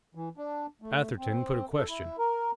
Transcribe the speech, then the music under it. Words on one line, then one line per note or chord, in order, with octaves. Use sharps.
Atherton put a question.
E3
D4
A3
C4
A4
E4
A#4